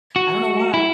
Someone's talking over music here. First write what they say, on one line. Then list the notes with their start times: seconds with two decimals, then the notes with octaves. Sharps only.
I don't know why,
0.16 F#4
0.74 E4